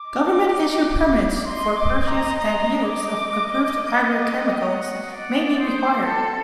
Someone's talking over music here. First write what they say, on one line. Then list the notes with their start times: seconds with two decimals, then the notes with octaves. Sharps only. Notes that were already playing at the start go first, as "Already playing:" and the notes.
Government-issued permits for purchase and use of approved agrichemicals may be required.
Already playing: D6
0.08 D#5
1.45 D#5 C6
1.76 D6
2.07 A#5
2.37 A#5
2.83 D6
3.29 D#5
4.21 D6
4.33 F#5
4.45 G5
4.67 F#5
4.90 F#5
5.13 D5 F#5
5.36 D#6
5.59 C5 D#6
5.82 D6
6.05 A4 F#5